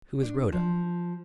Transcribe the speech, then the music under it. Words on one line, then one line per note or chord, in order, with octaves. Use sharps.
"Who is Rhoda?"
D4
F3